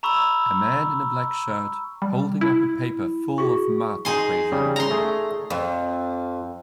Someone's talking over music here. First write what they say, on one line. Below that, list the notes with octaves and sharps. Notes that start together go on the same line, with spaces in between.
A man in a black shirt, holding up a paper full of math equations.
A#5 B5 C#6 E6
G3
E4
F#4 G#4 C#6
D#4 G#4 C6
C#3 G3
A#5 C6
A3 G#4
F2